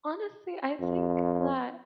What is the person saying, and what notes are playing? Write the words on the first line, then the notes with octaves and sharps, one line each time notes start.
Honestly, I think that,
F2